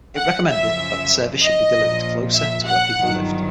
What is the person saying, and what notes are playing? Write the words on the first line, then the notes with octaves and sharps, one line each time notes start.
It recommended that the service should be delivered closer to where people lived.
F#5
F#2 C#3 F3 E5
D#5
A#1 A#2 F3
E5
F#5
G1 G2 D#3 F#3